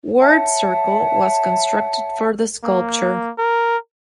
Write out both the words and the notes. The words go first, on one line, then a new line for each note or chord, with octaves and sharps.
Ward Circle was constructed for the sculpture.
C#5 E5 F#5 A5
A#3
A#4